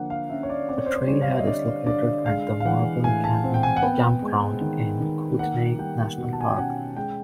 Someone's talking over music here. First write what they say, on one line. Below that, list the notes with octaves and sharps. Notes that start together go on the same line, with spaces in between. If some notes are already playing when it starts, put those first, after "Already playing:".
The trailhead is located at the Marble Canyon Campground in Kootenay National Park.
Already playing: D3 F3 A#3 F#5
F5
C#4 E5
C#5
D5
C4 D5
C#5
C5
C#5
G3 C#5
F5
E5
D#5
D3 D5
D3 D5
G#3 F5
F5
E3 F#5
A2 G#5
A5
C4
G5
G#5
F#5
B3 G5
G#3
D#3
D#3
A#3 F#5
G3 G5
B2
A5
G#5
G5
C#4 F#5
G#3 G5